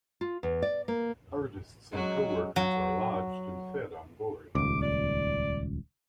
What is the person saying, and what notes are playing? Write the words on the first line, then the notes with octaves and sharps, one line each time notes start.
Artists and co-workers are lodged and fed on board.
F4
E2
D5
A#3
F#3 G#3 C#4 F#4 A#4
F#3
D#1 C#2 D6
D5